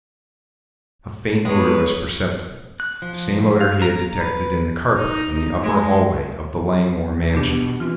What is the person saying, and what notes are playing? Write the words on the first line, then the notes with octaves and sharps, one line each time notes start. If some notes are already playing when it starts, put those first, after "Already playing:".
A faint odor was perceptible, the same odor he had detected in the carpet on the upper hallway of the Langmore mansion.
E2 G#3 B4 C#5
F#6
F3
F5
A#5
B4
D#4
G#3
E3
B2 B3 D4 G4
E3 C4 F4